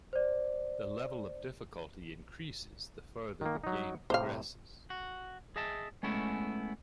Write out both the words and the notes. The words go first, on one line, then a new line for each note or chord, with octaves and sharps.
The level of difficulty increases the further the game progresses.
C5 D5
D#3 A#3
F#3 D#4
A2 C3 C5 F5
F#4
G#4 D#5 E5 A5
G#3 A3 B3 C#4 E4